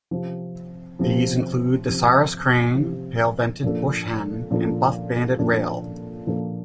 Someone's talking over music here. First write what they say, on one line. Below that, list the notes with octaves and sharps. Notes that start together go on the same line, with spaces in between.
These include the sarus crane, pale-vented bush-hen and buff-banded rail.
C3 F3 C4
C3 F3 C4
C3 F3 C4
C3 F3 C4
A#2 F3 A#3 D4 A4
A#2 F3 A#3 D4 A4
A#2 F3 A#3 D4 A4
A#2 F3 A#3 D4 A4